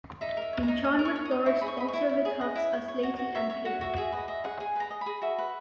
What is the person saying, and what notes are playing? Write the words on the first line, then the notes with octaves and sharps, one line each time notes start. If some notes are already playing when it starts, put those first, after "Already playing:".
In Charnwood Forest also the tuffs are slaty and cleaved.
D#4 E5
A#4 E5
C#5
A#5
D#4
D#4 D#6
A#4
C#6
C#5
D#6
D#4
E4 C#6
G#4 B5
C#6
D#5 B5
C#6
E4
E4
G#4
D#5
E4
C#5
C#5
F#4
F#4
C#5 E5
C#5 E5
F#4 F#5
F#4 E5
G#4 E5
B4 D#5
D#5 E5
G#4 F#5
G#4 G#5
B4 A#5
D#5
B5
G#4
F#4 E5
B4